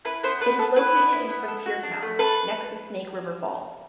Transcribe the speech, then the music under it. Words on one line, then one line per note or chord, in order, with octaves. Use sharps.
It is located in Frontiertown, next to Snake River Falls.
E4 B4
B3 C5
B3 B4
B3 A4
E4 B4
B3
E4
B3
A4
F#4
D4
A3
A4 B4